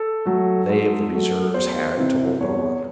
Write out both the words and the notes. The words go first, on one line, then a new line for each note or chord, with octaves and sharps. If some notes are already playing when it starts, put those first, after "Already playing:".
They of the reserves had to hold on.
Already playing: A4
F#3 A3
G#2
F#3 A3
E2 C5
C3 E3 C4 E4
E2 C#5